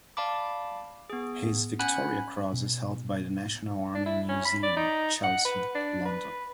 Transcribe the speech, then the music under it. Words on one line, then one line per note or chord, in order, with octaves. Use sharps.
His Victoria Cross is held by the National Army Museum, Chelsea, London.
D5 F5 A5 B5 D6
B3 G#4
C#4 F#5 G#5 B5 F#6
B2
D4
E4
C#4
B5
D5
D#4
F#5
B4
D4
B4